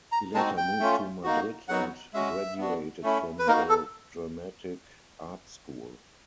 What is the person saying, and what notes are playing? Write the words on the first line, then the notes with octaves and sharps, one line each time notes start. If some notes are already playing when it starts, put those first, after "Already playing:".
He later moved to Madrid and graduated from the Dramatic Art School.
A#5
G#3 C4 D#4 F#4 A5
G5
A3 C#4 F4
A#3 D#4 F#4
F#3 B3 D#4 F#4 F#5
G#3 C#4 F#4 E5
B3 D4 F#4
A3 C#4 E4
B4
A#3 D#4 F#4 A#4
A4